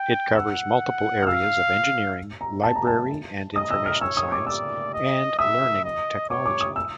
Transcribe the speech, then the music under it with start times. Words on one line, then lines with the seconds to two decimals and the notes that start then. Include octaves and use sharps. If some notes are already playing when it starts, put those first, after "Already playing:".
It covers multiple areas of engineering, library and information science, and learning technology.
Already playing: G5
0.35 F#5 E6
1.22 F6
1.27 F5 E6
2.41 A#5
2.63 A5
2.76 A#5
2.87 A5
3.56 D#5 D#6
3.71 E6
3.86 F6
4.01 C#5 E6
4.17 D#6
4.32 D6
4.47 D5 E6
4.93 D#5
5.38 E5 D#6
5.84 D#5
6.30 C#5 D6
6.46 D6
6.61 D#6
6.76 E6